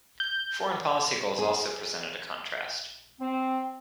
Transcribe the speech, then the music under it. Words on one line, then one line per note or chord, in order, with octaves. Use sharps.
Foreign policy goals also presented a contrast.
G6
G#4
C4